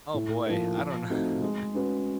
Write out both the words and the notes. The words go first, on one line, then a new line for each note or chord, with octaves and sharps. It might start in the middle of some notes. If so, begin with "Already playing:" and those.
Oh, boy. I don't kn
A2
F3 A#3
F3
A3 C4 D#4 F#4
G#3
C#4 F#4 B4